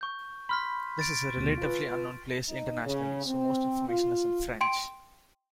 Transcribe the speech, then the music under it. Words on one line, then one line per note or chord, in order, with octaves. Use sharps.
This is a relatively unknown place internationally, so most information is in French.
C#6 G6
B5 C6 F6 B6
A6 D7
D2 B2
F4 B4
D#4
C#3
C4
F4
G5 C6 D7